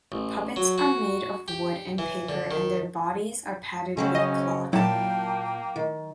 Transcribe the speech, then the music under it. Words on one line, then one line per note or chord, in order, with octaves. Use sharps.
Puppets are made of wood and paper and their bodies are padded with cloth.
A1
F#3
F#4
G4
E3
D3
D#3
C#3 F#3 C4 C#4
D#5
A#2 F#3 A#3 E4 G5 A5
D#3